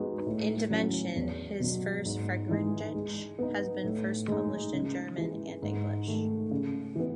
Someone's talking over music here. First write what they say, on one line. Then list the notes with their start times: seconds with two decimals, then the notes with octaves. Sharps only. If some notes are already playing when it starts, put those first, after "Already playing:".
In "Dimension", his long "Feriengedicht" has been first published in German, and English.
Already playing: G#3 B3 D#4 F#4
0.26 A2
0.70 F#3 C#4 E4
1.16 E2
1.60 B2 F#3
2.05 G#2
2.49 E3 G#3 D#4 G#4
2.94 G#3
3.39 B3 D#4
3.84 A2
4.28 G#3 D#4
4.73 C#3
5.18 E3 G#3
5.62 G#2
6.07 D#3 A3
6.51 C#3
6.96 E3 B3